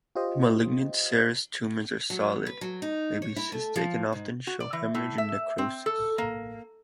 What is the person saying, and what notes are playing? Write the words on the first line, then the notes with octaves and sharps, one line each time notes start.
"Malignant" serous tumours are solid, may be cystic and often show haemorrhage and necrosis.
F4 G4 C5 D#5
F#3
B4
F#3
D#4
C#5
E4
A3
F3
G#2
F#4
D5
E3
A2
E5
C4
A4
A#3